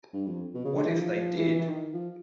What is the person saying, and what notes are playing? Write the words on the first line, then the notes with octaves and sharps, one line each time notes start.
What if they did!
G2
F2
B2
C#3
D3
E3
F3
E3
E3
E3
D#3
F3